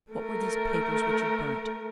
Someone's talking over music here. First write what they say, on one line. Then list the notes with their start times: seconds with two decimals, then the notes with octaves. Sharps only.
"What were these papers which you burnt?"
0.11 A3 A#4